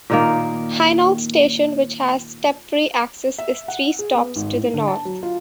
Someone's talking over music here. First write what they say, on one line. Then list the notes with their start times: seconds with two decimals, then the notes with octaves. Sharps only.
Hainault station which has step-free access is three stops to the north.
0.10 A#2 D#3 A#3
3.38 E5
3.68 F#5
3.99 G#4
4.15 B3
4.36 G#1
4.54 A2
4.74 D3
4.88 A5
5.05 F#3
5.23 F4